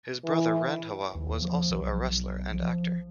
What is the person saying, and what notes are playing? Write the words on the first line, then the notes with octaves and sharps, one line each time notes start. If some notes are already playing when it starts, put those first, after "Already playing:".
His brother Randhawa was also a wrestler and actor.
E3
D#2
F3
B1
F3